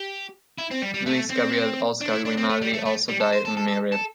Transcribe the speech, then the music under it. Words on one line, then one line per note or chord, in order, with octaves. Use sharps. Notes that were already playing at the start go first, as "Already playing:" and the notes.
Louis-Gabriel-Oscar Grimaldi also died unmarried.
Already playing: G4
E4
C4
G3
G3
A3
C4
D4
E4
D4
C4
A3
G3
A3
A3
G3
A4
C5
A4
A4
A4
A4